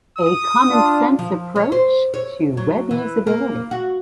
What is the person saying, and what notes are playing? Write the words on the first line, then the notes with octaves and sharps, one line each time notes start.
A Common Sense Approach to Web Usability.
D#6
D4 F4
F3
C#4
C5
C#5
F#3
E3
A#3
F#4